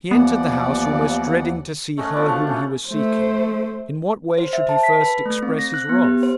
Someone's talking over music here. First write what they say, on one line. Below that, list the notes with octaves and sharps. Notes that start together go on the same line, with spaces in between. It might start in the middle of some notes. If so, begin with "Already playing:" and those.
He entered the house almost dreading to see her whom he was seeking. In what way should he first express his wrath?
D#2 E3 F3 B3 D5 F#5
A3 C#4 D#5 F#5
F3 B3 D4
F4 F#4 F5 F#5
A3 C#4 F4
A3 C5
C5
E5
A5
B6
B4
A3
C4
A#6
F#6
B3
G4
C5